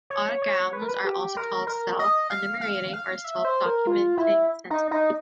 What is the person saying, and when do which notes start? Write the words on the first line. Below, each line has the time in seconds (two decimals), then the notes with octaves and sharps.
Autograms are also called 'self-enumerating' or 'self-documenting' sentences.
0.10 C#5
0.42 C#5
0.73 B4
0.82 A#4
0.89 B4
1.05 G4
1.36 A#4
1.67 A#4
1.99 D#5
2.30 F5
2.61 F5
2.93 F5
3.24 E5
3.45 C5
3.66 A#4
3.87 F4
4.17 E4
4.70 D#4
4.91 D#4